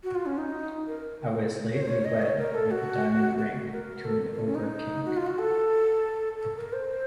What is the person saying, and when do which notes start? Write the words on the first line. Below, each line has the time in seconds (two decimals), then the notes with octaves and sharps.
I was lately wed with a diamond ring to an ogre-king.
0.04 F#4
0.15 F4
0.26 C#4
0.38 D#4
0.87 A#4
1.71 C#5
1.82 C5
1.88 C#5
2.05 D#5
2.22 C#5
2.38 A#4
2.55 A4
2.71 F#4
3.38 F#4
3.72 A#4
4.04 A4
4.34 A#4
4.39 A4
4.47 C#4
4.55 D#4
5.05 F#4
5.16 F4
5.26 F#4
5.38 A4
6.39 A4
6.56 A#4
6.73 C5